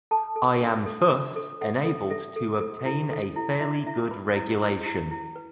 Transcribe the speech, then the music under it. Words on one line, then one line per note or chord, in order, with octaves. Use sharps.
I am thus enabled to obtain a fairly good regulation.
A4 A5
A4
D4
A4
D4
A4
A4 F#5
A4
A4 E5
A4
A4
E4
A4
E4
E4 E5
D5
E4 E5
D6
B4 B5
E4
E4
E4
E4
B4